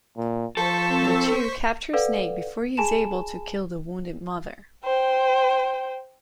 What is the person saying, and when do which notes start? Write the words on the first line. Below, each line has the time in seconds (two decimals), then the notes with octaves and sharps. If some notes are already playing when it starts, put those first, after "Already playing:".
The two capture Snake before he is able to kill the wounded Mother.
0.17 A#2
0.57 F3 A4 C5 C#6 B6
0.90 C4
1.93 A4 B4 D5 F5 F#5
2.77 G#4 G#5 A5 B5 E7
4.85 C5 G5